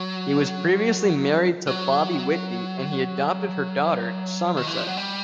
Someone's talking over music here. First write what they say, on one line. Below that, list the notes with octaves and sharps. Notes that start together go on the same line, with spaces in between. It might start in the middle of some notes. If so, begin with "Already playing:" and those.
He was previously married to Bobbie Whitby and he adopted her daughter, Somerset.
Already playing: F#3
F#3
D#3
E3
F3
F#3
G3